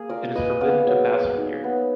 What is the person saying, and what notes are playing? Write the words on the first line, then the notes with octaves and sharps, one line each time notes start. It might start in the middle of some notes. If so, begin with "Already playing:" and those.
It is forbidden to pass from here.
Already playing: A#3 G#4
F4 A#4 D5
A#3 B4 D#5
B3 D5 F5
F#3
F#3
D#4
B3